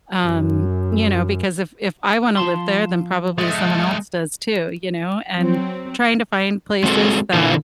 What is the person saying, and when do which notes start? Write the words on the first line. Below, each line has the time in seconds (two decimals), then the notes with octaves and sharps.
um, you know, because if if I wanna live there, then probably someone else does too, you know, and trying to find places that
0.21 F#2
2.37 F3 A5 C6
3.38 G#3 A3
5.36 F#3 C4
6.84 G#3 C4 F#4 G#4 A4
7.33 A#2 D3 E3 A#3